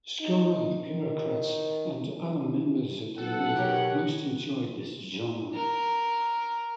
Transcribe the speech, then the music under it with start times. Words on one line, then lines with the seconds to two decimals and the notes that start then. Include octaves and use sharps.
Scholar-bureaucrats and other members of the elite most enjoyed this genre.
0.21 D#4
0.86 D#3
3.18 B1 A4 F#5
3.56 B2 G4 A#4 C#5
5.54 A#4